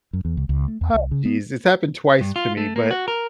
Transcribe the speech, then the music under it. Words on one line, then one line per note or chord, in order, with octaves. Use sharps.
"Oh, jeez," it's happened twice to me, but
F#2
E2
C#2
C#2
A3
E2
C2
C#3
B3
G2
F4
A3
A#3
F#4
A#4